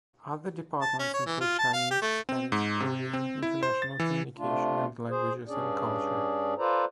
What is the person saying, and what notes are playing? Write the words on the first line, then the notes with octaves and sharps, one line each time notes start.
Other departments include Chinese, Spanish, Korean, International Communication, and Languages and Culture.
A5
C#4
C#5
E3
F4
A5
F5
G4
A3
C4
G#2
C3
C4
E4
C5
A6
E3
C3 A3 D4 F4
G#4 C5
G2 C#4 D4 G#4 D5
F4 A4 B4 C5 D5 A#5